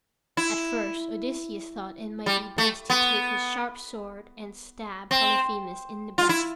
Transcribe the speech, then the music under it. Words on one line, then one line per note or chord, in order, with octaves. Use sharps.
At first Odysseus thought it might be best to take his sharp sword and stab Polyphemus in the breast.
E4
G3
A3
B3
C4
F4
E4